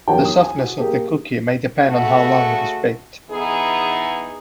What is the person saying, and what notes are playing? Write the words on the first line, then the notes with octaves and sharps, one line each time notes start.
The softness of the cookie may depend on how long it is baked.
E2 G2 D#3 F#3 G3 G5
D#6
G#5
F#4
A#3 G4 G#4
C#3 A3 F#4
E3 B3 D#4 G#4